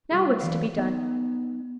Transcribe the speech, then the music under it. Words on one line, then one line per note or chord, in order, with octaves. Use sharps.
Now what's to be done?
G3 F4 G#4
E3 F#3 B4 D5 F5
B3 D#4